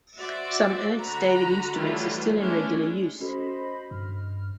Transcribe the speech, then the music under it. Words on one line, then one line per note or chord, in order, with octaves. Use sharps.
Some Ernst David instruments are still in regular use.
F#4 C5 D5 E5
D3 F#4 A#5 B5
E3 F#3 G3 A3 E4 F4
G#3 A3 B3 C#4 D4 E4
C#4 F#4 A4 C5 D#5 B5
G2 F6